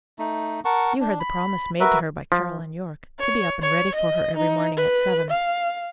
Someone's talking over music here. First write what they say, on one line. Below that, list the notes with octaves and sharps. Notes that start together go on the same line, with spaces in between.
You heard the promise made to her by Caroline Yorke, to be up and ready for her every morning at seven.
A3 D#4
A#4 F#5 A5 C#6
D4
B5
F#4 A#4 B4 E5
F3
C#5
C#5
D#5
D#4
B4
F5